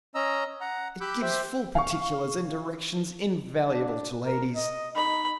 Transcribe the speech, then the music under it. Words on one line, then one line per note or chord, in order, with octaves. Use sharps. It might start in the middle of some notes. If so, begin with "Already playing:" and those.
It gives full particulars and directions invaluable to ladies.
C#4 D#5 A#5 E6
F#5 A#5
G4 B5 D6 E6 F#6 G6
G4 C5 E5 G5
F5 C#6
D4
A#4
D#5
D#4 B5